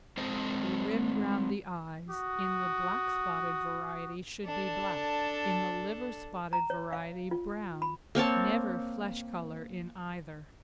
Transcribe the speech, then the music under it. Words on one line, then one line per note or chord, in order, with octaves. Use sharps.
THE RIM ROUND THE EYES in the black-spotted variety should be black, in the liver-spotted variety brown--never flesh-colour in either.
G#3 C4 A4 C5 D#5
F#4 D#6
D4 A4
A#5
C#5
F5
F4
B5
A#3 C4 C#5 A5